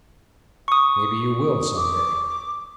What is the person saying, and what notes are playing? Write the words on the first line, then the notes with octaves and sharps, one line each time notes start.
"Maybe you will some day."
C#6 D#6
D6